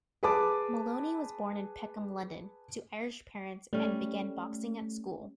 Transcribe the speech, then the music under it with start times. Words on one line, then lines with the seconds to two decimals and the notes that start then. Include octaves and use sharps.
Maloney was born in Peckham, London, to Irish parents, and began boxing at school.
0.23 G#4 B4 A5 D6
3.73 G3 A3 C#4